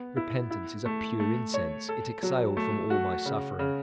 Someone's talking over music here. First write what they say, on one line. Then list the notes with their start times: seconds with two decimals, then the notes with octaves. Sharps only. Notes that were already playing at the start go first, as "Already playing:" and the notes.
Repentance is a pure incense; it exhaled from all my suffering.
Already playing: B3
0.17 E4
0.51 E4
0.86 A3
1.20 A3
1.54 C#5
1.89 A4
2.23 F#3
2.57 A3
2.90 F#4
3.26 C#3
3.59 C#3